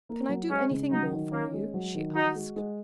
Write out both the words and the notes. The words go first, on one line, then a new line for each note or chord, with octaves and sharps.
"Can I do anything more for you?" she asked.
A#3
F#3
G#3 C#4
C#3
F#3 D#4
D#3
A#3 C#4
G#3
F#3
D#3
D#4 F#4
G#3
G#3